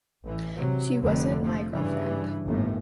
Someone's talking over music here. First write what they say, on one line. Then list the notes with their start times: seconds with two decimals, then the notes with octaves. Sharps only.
She wasn't my girlfriend.
0.23 A1 E3
0.55 C3 F#3
1.02 F1 F2 D3
1.42 F3 A3
1.72 G2 C#3 E3
2.46 G1 D#2 A2